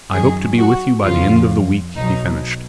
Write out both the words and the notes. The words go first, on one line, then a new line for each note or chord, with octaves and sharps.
"I hope to be with you by the end of the week," he finished.
F#2 D#3 F#3 G#4
F#4
F2 C#3 F3 F4
B1 B2 F#3 D#4